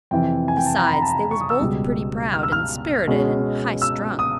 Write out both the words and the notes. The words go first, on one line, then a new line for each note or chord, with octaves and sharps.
Besides, they was both pretty proud and sperrited and high-strung.
F2 C3 E3 G5
G#5
G5
A5
A#5
B5
A#5
A5
A#5
C#6
D#6
E6
C#2 B2 G3
F6
E6
F6
B2 G#3 C#4
E6
D#6